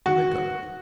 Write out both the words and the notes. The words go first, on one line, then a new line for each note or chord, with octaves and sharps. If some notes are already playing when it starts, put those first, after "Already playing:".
"You may go."
F#4